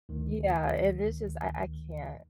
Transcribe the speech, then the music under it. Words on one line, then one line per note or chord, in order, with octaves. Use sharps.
Yeah, and it's just I I can't
D2 D#3